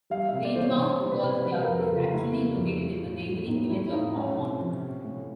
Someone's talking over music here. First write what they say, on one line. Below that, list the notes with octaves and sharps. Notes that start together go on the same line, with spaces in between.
Grangemouth Golf Club is actually located in the neighbouring village of Polmont.
G3 F5
C3 E5
D5
E3 C5
C#5
C3 C5
G3
B4
C3
F#3 B4
A#4
F2
A4
C#3
F4
A3 E4
F#3
F2
A3
A2
F#3
A2 D#4
A3 E4
E4
A2 D#4
A3 C#4
C3
F3
C3
A3